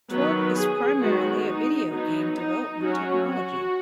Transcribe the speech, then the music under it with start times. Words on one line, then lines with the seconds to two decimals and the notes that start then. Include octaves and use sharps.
Torque is primarily a video game development technology.
0.11 D#3 F#3 B3 B4
0.57 G#4
1.02 D#3 G#3 B3 F#4
1.46 D#4
1.92 F#3 B3 D#4
2.37 D#4
2.82 F#3 C#4 F#4
3.27 F#4